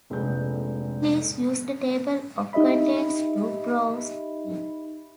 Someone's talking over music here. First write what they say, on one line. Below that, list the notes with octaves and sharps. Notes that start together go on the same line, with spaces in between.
Please use the Table of Contents to browse it.
F1 A#1 G#3 A4 B4 G6
D#4 G4 D#5 E5 B5